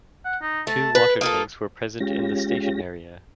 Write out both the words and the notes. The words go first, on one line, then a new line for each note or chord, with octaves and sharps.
Two water tanks were present in the station area.
F#5
D#4
A3 A5
B4
A#3 F4 A4 D#6
G#3 C#4 F4 G4 A#6